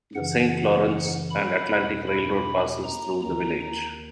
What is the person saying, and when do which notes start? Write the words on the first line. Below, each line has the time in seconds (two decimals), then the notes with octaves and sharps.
The Saint Lawrence and Atlantic Railroad passes through the village.
0.14 F#2 C#3 E3 F#5
0.53 F#5
1.30 B5
1.69 E2 B2
2.07 B5
2.84 A#5
3.22 D#2 D#3 A#5
3.61 A#5